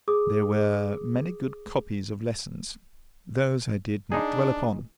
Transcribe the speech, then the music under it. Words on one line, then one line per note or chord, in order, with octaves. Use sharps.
There were many good copies of lessons: those I did not dwell upon.
G#4 D6 D#6
D4 D#4 G#4